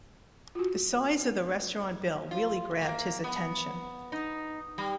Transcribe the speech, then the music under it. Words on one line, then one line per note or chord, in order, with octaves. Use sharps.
The size of the restaurant bill really grabbed his attention.
F4 F#4
F4
A#3
B3
D#4
G3